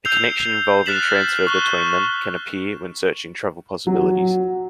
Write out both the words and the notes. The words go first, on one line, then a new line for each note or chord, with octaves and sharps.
A connection involving transfer between them can appear when searching travel possibilities.
E6 G6 C7 F7
F6 F#6 A6 B6 E7 F#7
C#6 F#6 G7
F#3